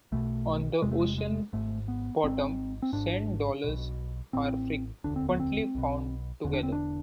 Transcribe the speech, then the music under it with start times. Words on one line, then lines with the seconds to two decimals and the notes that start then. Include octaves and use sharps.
On the ocean bottom, sand dollars are frequently found together.
0.12 B1 B2 A3
0.82 E1 E2 C3 G#3
0.91 A3
0.99 G#3
1.18 G#3
1.53 G#1 G#2 A3
1.88 B3
2.23 G#1 G#2 C4
2.82 C4
2.93 G#1 G#2 D4
3.64 B1 B2
4.33 A1 A2 C4
5.04 E1 D2 D3 D4
5.16 C4
5.29 B3
5.40 C4
5.75 B1 B2
6.44 E1 E2 D3
6.53 D4
6.63 C4
6.72 D4